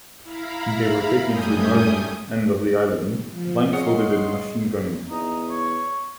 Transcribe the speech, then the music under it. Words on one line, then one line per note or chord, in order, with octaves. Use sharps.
They were taken to the northern end of the island, blindfolded and machine-gunned.
E4 F5 A#5 B5
F#2 G3 A3 G#5 D#6 G6
F3
G#4 C#5 D#5 F5 F#5 C6
E2 D#4
C#5